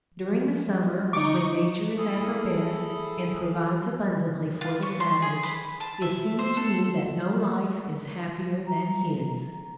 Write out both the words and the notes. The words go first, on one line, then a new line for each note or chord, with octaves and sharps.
During the summer, when Nature is at her best, and provides abundantly for the savage, it seems to me that no life is happier than his!
F3
D#5
D3 D#4 C#6 D6
E4 G#4 A4
F4
C#5
C6
G#4
B5
A5
E5
C5
A4
A#5